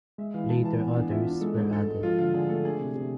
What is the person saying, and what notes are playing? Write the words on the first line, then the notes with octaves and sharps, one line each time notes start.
Later others were added.
G#3 E5
E3 F5
G#3 A5
E3 A5
B3 G#5
D4
F4 E5
D4
G#3 A4
G#2
G#2 A4
G#3
F3 F4
D3 F4
D3 G#4
A3 A4
D4 G#4
C3
C3